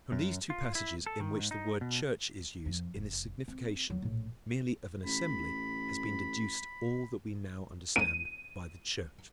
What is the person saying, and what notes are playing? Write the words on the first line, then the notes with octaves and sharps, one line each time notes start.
From these two passages in which the word church is used, in the signification merely of an assembly, has been deduced all that we now understand by the Church.
F#2
F4
E4
A4
D#3
G#2
D#4
B2
F2
F1
C4
F#3
A#1 A2
A1 B5
D#7